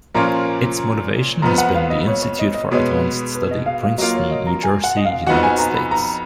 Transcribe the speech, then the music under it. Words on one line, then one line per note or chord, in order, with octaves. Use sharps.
Its motivation has been the Institute for Advanced Study, Princeton, New Jersey, United States.
A#2 F3 A#3 C#4 F4 A#5
F2 F3 B3 A#5
F#5
F5
D#5
C#5
C#5
D#5
D#5
B2 G#3 B3 C#5
B4
B4
D#5
F5
F5
F#3 A#3 F4 D#5
C#5
D#5
A#5
G#5
F#5
D#5
F5
F2 F3 B3 D#4 F#4 F#5
G#5
A#5
B5
A#5